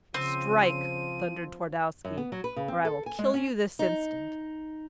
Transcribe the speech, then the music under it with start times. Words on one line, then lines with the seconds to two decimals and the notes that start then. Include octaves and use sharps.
"Strike!" thundered Twardowski, "or I will kill you this instant."
0.14 C#3 F3 C4 D#7
2.05 F#2
2.17 B3
2.32 F#3
2.44 B4
2.56 C#3
2.68 C4
2.85 A4
3.06 G#5
3.19 G#3
3.34 C#4
3.79 D#4